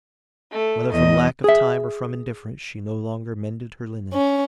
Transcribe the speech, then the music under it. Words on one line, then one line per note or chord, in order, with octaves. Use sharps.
Whether from lack of time or from indifference, she no longer mended her linen.
A3
E2 D#5
G#4 E5
C#4